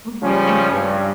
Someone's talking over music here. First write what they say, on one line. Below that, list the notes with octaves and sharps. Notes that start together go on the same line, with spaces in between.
Mhm. Mhm.
C#3 F3 G3 C#4
G2